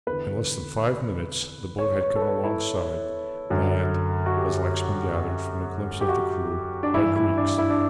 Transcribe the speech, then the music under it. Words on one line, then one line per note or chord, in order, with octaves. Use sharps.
In less than five minutes the boat had come alongside, manned, as Lexman gathered from a glimpse of the crew, by Greeks.
E2 D3 B4
C#5
C#5
A4
B4
E4
F#2 D3
F#4
G4
G4
F#4
D4
G2 E3 E4
E4
D4
E4
D4